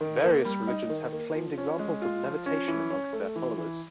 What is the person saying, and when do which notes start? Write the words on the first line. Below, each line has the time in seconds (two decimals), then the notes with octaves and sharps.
Various religions have claimed examples of levitation amongst their followers.
0.01 D#3
0.24 A#3
0.45 G3
0.67 D#4
0.90 D#3
1.13 A#3
1.35 F3
1.58 C#4
1.79 G#3
2.02 F4
2.24 F3
2.46 C#4
2.68 E3
2.90 C#4
3.13 A3
3.36 E3
3.58 E3